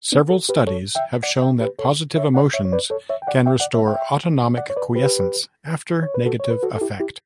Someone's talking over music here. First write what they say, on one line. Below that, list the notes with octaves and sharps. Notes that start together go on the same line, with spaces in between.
Several studies have shown that positive emotions can restore autonomic quiescence after negative affect.
B3 D4
F#4 A4
G4 B4
A4 C#5
E5 G5
D5 F#5
E5 G5
G4 B4
A4 C#5
C#5 E5
D5 F#5
C#5 E5
C#5
B4 D5
A4 C#5
C#5 E5
G5
D5 F#5
E5 G5
D5 F#5
C#5 E5
E5 G5
D5 F#5
C#5
B4 D5
G4 B4
C#5
B4
F#4 A4
C#5
B4
F#4 A4
A4
E4 G4
E4 G4